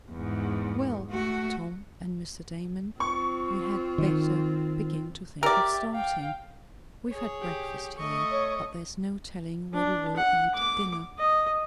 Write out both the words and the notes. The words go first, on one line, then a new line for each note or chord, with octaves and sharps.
"Well, Tom and Mr. Damon, you had better begin to think of starting. We've had breakfast here, but there's no telling where we will eat dinner."
E2 G#2
A3 F#4
C4 F4 C#6
D#3
G4 A#4 D5 E5
F5 G5
G#4 C#5
G4
A3 D#5 C#6 D#6
C#5
D4
F#5
D6
D#5